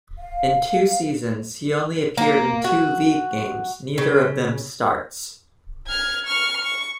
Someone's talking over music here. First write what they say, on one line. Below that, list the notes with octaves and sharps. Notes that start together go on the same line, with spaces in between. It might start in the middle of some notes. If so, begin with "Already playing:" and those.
In two seasons, he only appeared in two league games, neither of them starts.
F5
A#3
F#4
C#3
F6 G#6
C#6 F6
C#6